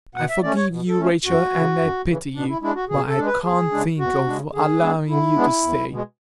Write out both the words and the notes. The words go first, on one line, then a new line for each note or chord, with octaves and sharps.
I forgive you, Rachel, and I pity you; but I can't think of allowing you to stay.
B2 F#5
E5
A3 C#4 D5
C#5
B2
A4
A3 C#4
F#2 F#4
C#3 E3
F#2
C#3 E3
B2 D4
E4
G#3 D4 E4
F#4
B2 G#4
A4
G#3 D4
B4
E2 G#4
C#3 G#3 D4
E2 F#4
C#3 G#3 D4
D3 G#4
G#3 B3 D4
D3 E4
G#3 B3 D4
E2
B2 G#3